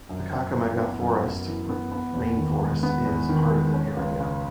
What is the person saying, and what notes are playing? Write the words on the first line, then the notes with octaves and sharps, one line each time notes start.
The Kakamega Forest rainforest is part of the area.
F#2
F#2
E3
B3
F#2
F#2
E3
B3
B3
E2
D#3
G#3
B3
E2
D#3
G#3
C#4
C#2
C#3